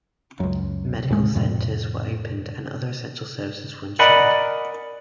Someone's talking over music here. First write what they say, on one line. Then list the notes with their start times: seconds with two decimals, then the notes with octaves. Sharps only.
Medical centres were opened and other essential services were ensured.
0.40 C#2 F#2
1.10 D#2 A2 G#3
1.35 F2 A2 C3
3.99 A#4 D5 D#5 F#5 G#5 B5